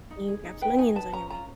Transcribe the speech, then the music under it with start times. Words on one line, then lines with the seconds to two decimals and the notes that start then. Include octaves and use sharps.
"Can you grab some onions on your way home?"
0.11 D#4
0.28 G#4
0.45 D#4
0.62 B4 G5
0.79 D#4 G#5
0.96 B4 A5
1.12 C#4 A#5
1.30 F4 A#5